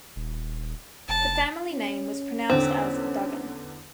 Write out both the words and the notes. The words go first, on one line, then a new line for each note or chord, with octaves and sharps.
The family name was pronounced as "Duggan".
D#1
F1 A5
C#4
E2 D3 C4